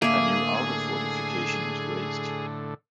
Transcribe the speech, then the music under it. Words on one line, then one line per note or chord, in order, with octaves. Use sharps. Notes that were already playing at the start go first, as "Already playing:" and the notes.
A new outer fortification was raised.
A2 D3 A#3 G#4 E5